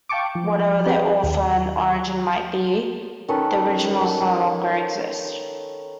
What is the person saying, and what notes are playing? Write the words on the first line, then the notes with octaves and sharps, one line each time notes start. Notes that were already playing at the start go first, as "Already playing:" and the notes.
Whatever their author and origin might be, the originals no longer exist.
F5 G5 A5 C#6 D6
F3
C4 G4 G#4 B4 G5
D#2
D#3 C#4 A4 B4